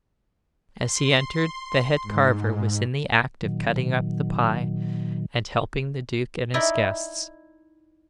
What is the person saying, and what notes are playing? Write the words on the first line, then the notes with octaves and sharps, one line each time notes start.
As he entered the head carver was in the act of cutting up the pie and helping the duke and his guests.
C6
G#2
A#2 D#3 F#3
D#4 E4 D5